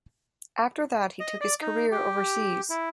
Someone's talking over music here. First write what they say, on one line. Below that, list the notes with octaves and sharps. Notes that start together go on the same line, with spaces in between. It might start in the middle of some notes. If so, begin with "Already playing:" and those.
After that he took his career overseas.
D#5
D5
D#4
G4
E4